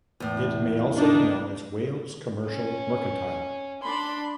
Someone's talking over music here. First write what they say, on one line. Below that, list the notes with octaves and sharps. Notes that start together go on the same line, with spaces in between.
It may also be known as Wales Commercial Mercantile.
E2 A2
D4 D#4
C#4
D4 B5 C6